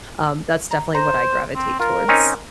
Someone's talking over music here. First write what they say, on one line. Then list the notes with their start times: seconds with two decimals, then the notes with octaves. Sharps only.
um, that's definitely what I gravitate towards.
0.71 A#5
0.95 C5 A#5
1.56 C4
1.80 F4 A#4
2.08 C4 C#4 D#4